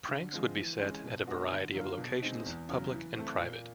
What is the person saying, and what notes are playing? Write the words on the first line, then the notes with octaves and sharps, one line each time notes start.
Pranks would be set at a variety of locations, public and private.
D3
F3 G#3 C4
E3
G#3 C#4
B2
G#3 B3 D4 F#4
D3
F#3 A#3 D4 F4
B2
G#3 C4 D#4
E2
C#3 F#3
E3
A3 C4
A#2